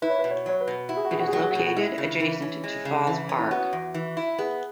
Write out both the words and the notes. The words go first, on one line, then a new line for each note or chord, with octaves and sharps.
It is located adjacent to Falls Park.
E4 B4
C#5
B4
B2
C#5
F#3 C#5
B4
B2
E4 F#4
G#4
F#4
B2 G#4
F#4
G#4
F#3 F#4
G#4
F#4
B2 G#4
F#4
G#3 E4
C#3
E3
C#4
G#3
C#3
E3
C#4
E4
B3 F#4
E2
E3
E4
B3 G#4